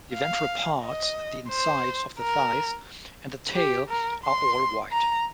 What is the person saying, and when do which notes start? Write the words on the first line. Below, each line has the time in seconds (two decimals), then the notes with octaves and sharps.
The ventral parts, the insides of the thighs and the tail are all white.
0.14 F5
0.82 D#5
1.50 C5
2.19 A#4
3.55 G4
3.89 A#4
4.23 C6
4.92 A#5